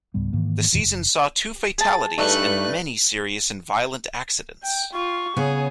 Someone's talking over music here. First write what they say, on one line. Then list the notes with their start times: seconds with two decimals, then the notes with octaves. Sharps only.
The season saw two fatalities and many serious and violent accidents.
0.14 C#2 G#2 G3 B3
0.33 G#2 D#3 E3 A#3
0.73 F2 A#2 D#3 E3
0.84 F#1
1.78 G#4 A5
2.18 G2 A3 D4 D#4 B4 F#6
4.63 G5
4.93 F4 C#6
5.36 C#3 B3 G#4 C#5